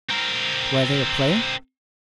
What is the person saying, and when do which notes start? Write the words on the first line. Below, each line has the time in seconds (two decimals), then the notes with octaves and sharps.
"Where they are playing?"
0.10 C4 A#4